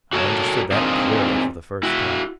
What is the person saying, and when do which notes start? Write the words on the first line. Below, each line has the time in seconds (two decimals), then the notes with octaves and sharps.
I understood that clearly, for the first time.
0.13 F#4 A4 A#4 C#5 A5
0.72 C4 D4 D#4 F4 G#4 A#4
1.83 E4 F#4